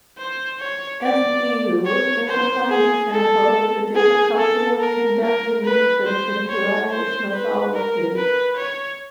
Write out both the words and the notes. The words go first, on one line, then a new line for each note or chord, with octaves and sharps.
Ethniu is a fine example of the difficulty of conducting research into Irish mythology.
C5
C#5
D5
C#5
C5
G#4
A4
G#4
A4
A#4
A#4
B4
C5
C#5
C5
B4
A#4
B4
C#5